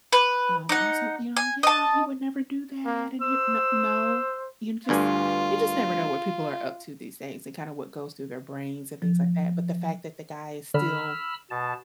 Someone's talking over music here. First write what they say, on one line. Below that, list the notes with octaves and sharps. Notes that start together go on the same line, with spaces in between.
um, are so, you know, "Yeah, he would never do that, and he "N no, you just you just never know what people are up to these days and kinda what goes through their brains and things like that, but the fact that the guy is still
B4
D#4 F#5
G#5
D#5 A5
A#3
C5 E6
D2 G2 F4 G#5
F3
D3 B5 E6 F6
B2 A5